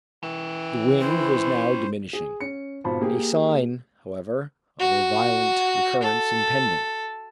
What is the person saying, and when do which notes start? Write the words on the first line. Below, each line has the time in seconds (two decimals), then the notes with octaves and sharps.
The wind was now diminishing--a sign, however, of a violent recurrence impending.
0.23 E3 C#4 G5
1.01 E4 C5
2.13 G#4
2.41 C#4 C#7
2.84 G#1 B2 F4 C5 A5 B5
3.01 A#3 G4 G#4
4.80 F#4
6.03 A4